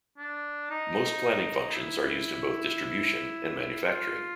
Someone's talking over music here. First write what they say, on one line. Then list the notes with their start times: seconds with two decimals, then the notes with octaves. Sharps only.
Most planning functions are used in both Distribution and Manufacturing.
0.18 D4
0.70 D#4
1.75 E4
3.84 F4